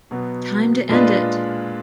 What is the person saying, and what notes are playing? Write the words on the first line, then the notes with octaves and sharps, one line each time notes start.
Time to end it!
B2 F#3 B3
A#2 G#3 D4 F4 B4